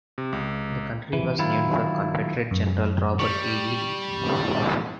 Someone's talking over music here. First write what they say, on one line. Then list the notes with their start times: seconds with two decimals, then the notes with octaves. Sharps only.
The county was named for Confederate general Robert E. Lee.
0.18 C3
0.33 C#2
1.13 E3
1.39 D#3 F#3 E4 F4
2.51 F#2
3.19 G3 C#6